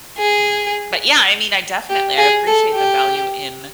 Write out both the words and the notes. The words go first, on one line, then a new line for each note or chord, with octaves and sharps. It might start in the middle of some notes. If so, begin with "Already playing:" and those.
um, but yeah, I mean, I definitely, I appreciate the value in
G#4
G4
G#4
A4
G4